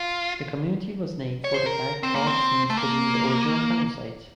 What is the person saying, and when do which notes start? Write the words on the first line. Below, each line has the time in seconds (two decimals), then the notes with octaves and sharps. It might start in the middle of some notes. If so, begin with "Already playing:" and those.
The community was named for the fact hawks nested near the original town site.
Already playing: F4
1.44 C#5
1.54 C5
1.66 A#4
2.03 C4
2.15 A#3
2.27 C4
2.70 A3
2.77 A#3